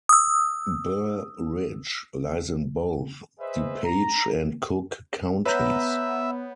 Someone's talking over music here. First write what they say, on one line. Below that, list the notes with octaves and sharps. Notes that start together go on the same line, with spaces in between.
Burr Ridge lies in both Du Page and Cook counties.
D#6 E6
G#4 B4 C5 D#5 E5
A#5
B3 B4 C#5 E5 A#5 B5 G6